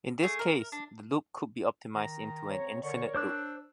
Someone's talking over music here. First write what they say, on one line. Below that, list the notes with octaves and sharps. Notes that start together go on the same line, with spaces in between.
In this case, the loop could be optimized into an infinite loop.
A3 G#4
A#4
D4
D#3 A#5
C#3 C4 C#5
D3 A#4 C#5 D5 C#6
D4 C5 D6 E6 F#6